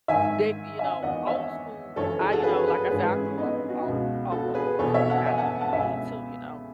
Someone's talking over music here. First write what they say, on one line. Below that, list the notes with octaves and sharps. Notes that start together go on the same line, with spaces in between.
they you know, old school I You know, like I said, I grew up all off of old school, and I know you did, too, you know?
G#2 D#3 E5 G#5
E5 G#5
E2 D#3 D#5 F#5
C#5 E5
F#2 C#3 E3 A4 C#5
E4 G#4
F#4 A4
G#4 B4
G#4 B4
G#2 E3 G#4 B4
E4 G#4
C#4
C#4
B3 D#4
B3 D#4
D#4 F#4
C#2 B2
F#4 A4
G#4 B4
E2 B2 A4 C#5
C#5 E5
F#5 A5
E5 G#5
F#5 A5
F#5 A5
C#2 B2 E5 G#5